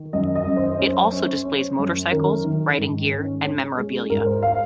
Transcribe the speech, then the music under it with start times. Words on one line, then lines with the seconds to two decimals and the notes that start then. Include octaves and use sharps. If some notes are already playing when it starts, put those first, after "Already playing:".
It also displays motorcycles, riding gear, and memorabilia.
Already playing: D#3
0.13 F#2 D#5
0.35 D#5
0.46 F#2
0.57 C5
0.79 C#4
1.12 C#4
1.45 C#4
1.79 F#2
2.12 D#3 A#4
2.45 D#3
2.77 G#2
3.11 C#4
3.44 C#4
3.77 G#3
4.10 G#2 A#4
4.26 C5
4.43 F5